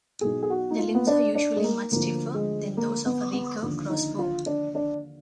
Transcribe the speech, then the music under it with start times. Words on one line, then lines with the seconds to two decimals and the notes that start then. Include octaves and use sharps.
The limbs are usually much stiffer than those of a recurve crossbow.
0.21 B1 B2 G#4
0.43 G#4
0.50 F#4
0.70 D#4
0.79 F4
0.95 B3
1.07 D4
1.35 D4
1.56 G#3
1.64 A#3
1.91 D2 D3 F3 A#3
2.34 G#3
2.77 A#3
3.05 B3
3.33 B3
3.62 D#2 D3 F3
3.90 D#4
4.19 F4
4.46 D4
4.75 D4